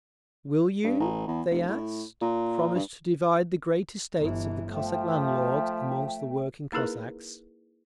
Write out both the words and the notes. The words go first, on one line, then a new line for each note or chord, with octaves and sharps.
"Will you," they asked, "promise to divide the great estates of the Cossack landlords among the working Cossacks?"
G2
A1
E2
F1
A2
A#2
G2
G1 E3
F3 A3 E5 G5
A#3 D#4 E4 G#4 A#4 B4